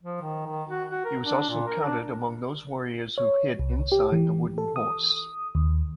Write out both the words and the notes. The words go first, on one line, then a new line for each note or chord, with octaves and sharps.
He was also counted among those warriors who hid inside the Wooden Horse.
F3
D#3
D#3
F#4
F#4
A#4
D4
A#2
A#4
D4
C#5
C2
G4
E3
A4
D#6
D#2